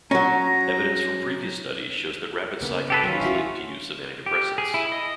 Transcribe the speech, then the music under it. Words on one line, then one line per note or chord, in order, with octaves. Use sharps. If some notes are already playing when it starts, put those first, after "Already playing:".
Evidence from previous studies shows that rapid cycling is linked to use of antidepressants.
F#3 C#4 A#5
C#3 A#3 B3
G4 A4 B4
D#3 F#3 C#4 F4
E4 F#4
G4
G#4
E4
D#5